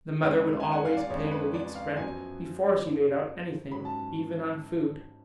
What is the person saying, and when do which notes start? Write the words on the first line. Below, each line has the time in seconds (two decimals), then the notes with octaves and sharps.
The mother would always pay the week's rent before she laid out anything even on food.
0.23 F2 C#3 G#3 D4 B4
0.60 G#5
0.72 F#5
0.85 F5
0.97 D5
1.10 F2 C#3 G#3 D4 C#5
1.31 B4
1.54 D5
1.75 F5
1.97 F#2 F3 B3 G#5
2.84 F#2 F3 B3
3.71 G#2 F#3 C#4 B5
3.85 A5